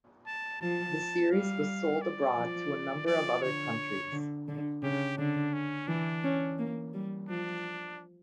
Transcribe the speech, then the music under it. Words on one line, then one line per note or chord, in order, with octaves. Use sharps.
The series was sold abroad to a number of other countries.
A5
F3 A5
G3 F5
D5
F3
F3 D5
D3 C#5
D3
D3
C#3 G4
D3 D4
C#4
E3 D4
C#4
A#3
G3
F3 D4